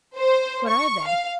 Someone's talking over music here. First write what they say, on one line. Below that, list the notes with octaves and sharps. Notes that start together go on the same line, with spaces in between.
"What are they?"
C5
C#6
F5